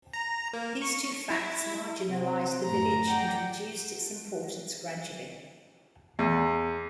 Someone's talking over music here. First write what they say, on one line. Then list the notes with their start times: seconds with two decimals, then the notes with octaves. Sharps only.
These two facts marginalized the village and reduced its importance gradually.
0.13 A#5
0.53 A#3
0.82 C#6
1.30 E4
2.08 C3 C4
2.64 F#2 A2 A#5
3.07 D5 F#5 G5
6.19 E2